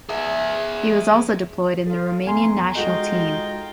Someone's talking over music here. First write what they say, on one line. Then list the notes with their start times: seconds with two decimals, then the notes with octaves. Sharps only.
He was also deployed in the Romanian national team.
0.09 G#4 E5
1.87 F4 A4
2.26 F2 B3 G#5 A#5 C6
2.75 G#3 D#4 F4 F#4 A4 D#5 G5